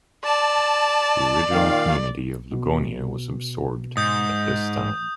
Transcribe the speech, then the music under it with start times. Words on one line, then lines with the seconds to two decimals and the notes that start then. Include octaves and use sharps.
The original community of Lugonia was absorbed at this time.
0.24 D5 A5
1.51 A#2 D#3 F5
2.52 B2
3.97 G#2 D#6 G6